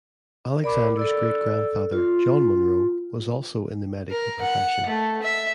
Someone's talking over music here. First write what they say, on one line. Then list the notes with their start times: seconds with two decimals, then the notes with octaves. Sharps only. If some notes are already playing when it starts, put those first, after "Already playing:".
Alexander's great-grandfather, John Munro, was also in the medical profession.
0.62 A#4 D5 B5 D6
0.97 A4 D5 E6
1.92 F4
4.11 A#4
4.42 F#5
4.86 A3
5.23 E5